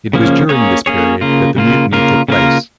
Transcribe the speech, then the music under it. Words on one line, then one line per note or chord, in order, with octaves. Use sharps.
It was during this period that the mutiny took place.
C#3 F3 A#3 C#4
A#3 C#4 G#4 C#5
A#3 C#4 G#4 C#5
C#3 A#3 F4
C#3 A#3 F4
C#3 A#3 F4 A#4
C#3 A#3 F4 A#4